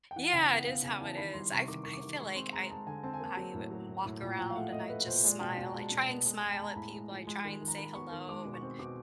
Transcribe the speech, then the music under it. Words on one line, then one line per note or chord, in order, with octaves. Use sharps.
Yeah. It is how it is. I f I feel like I I w walk around and I just smile. I try and smile at people. I try and say hello. And
G5
E3 F#5
C#3 G5
B3 F#5
B3 F5
C#3 G#5
E3 A5
D#3 B5
G3 C6
C3 C#6
D#3 D6
D#3 C#6
D6
D#3
G#3 C#6
C4 C6
G#3 A#5
G#3 A5
D3 G#5
C4 A5
G#5
A#3 A5
F#3
A2
F#3
A2
A2
A#2
F3 G5
F5
A3 F#5
A3 D#5
A3 B4
A#2 C5
G#3 D5
B2 G5
B2 A5
A#5
G#3
A5
B2
B3
G#3
G#3 G#5
A5
G#3 A#5
A2 B5
G#3
F3
G#3
D#3
D#3
A#5
D#3 B5
B3 C#6
D#3
G#3 D6
B2
C#6
C4
B2 D6